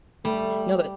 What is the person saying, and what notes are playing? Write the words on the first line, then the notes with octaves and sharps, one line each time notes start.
No, that
G3 A3